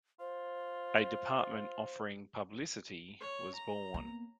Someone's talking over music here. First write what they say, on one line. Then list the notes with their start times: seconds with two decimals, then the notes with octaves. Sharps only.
A department offering Publicity was born.
0.20 F4 C5
3.20 C#5
3.55 A#5
3.94 A#3 B3